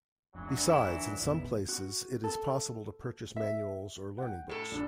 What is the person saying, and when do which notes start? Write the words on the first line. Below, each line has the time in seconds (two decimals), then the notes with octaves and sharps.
Besides, in some places it is possible to purchase manuals or learning books.
0.35 F1 F2 E3 F#3 D4
0.68 D#3 E4
1.20 A1 F2 B2
1.68 F#4
2.24 A4
3.36 E5
4.18 F#5 G5
4.49 A2 A4
4.71 A#1 D4